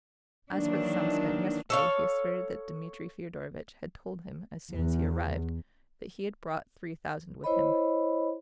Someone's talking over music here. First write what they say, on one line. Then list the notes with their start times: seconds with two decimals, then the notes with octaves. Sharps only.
As for the sum spent yesterday he asserted that Dmitri Fyodorovitch had told him, as soon as he arrived, that he had brought three thousand with him.
0.51 D#3 E3 F#3 A#3 D4
1.70 A4 C#5 F5
4.71 E2
7.44 E4 C5 C#5 D#5 B5